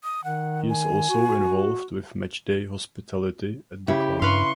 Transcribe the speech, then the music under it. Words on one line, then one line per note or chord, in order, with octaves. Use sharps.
He is also involved with matchday hospitality at the club.
D#6
D#3 F#5
G#5
F#4
C#3 E4 G4
G2 B4 F5 C6 C#6